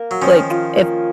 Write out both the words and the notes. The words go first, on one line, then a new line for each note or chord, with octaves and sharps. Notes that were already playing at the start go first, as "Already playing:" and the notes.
Like, if
Already playing: A#3 A#4
F#3
D#3 F3 C#4
F4
A#3